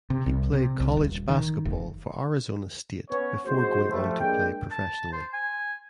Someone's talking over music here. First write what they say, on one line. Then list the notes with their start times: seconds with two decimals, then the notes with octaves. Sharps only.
He played college basketball for Arizona State before going on to play professionally.
0.10 C3
0.26 C2
0.54 C3
0.80 C2
0.97 D#1
1.29 D#3
1.65 F1
3.10 B3 C#4 C#5
3.45 F#1 G#3 F#4 C5
3.91 F3 G3 A3
4.20 G#3 A#3 D4 G5
4.72 A5
5.13 C5
5.34 G#5